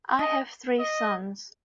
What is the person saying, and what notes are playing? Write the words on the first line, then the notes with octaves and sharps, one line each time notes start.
I have three sons.
D#5
D#5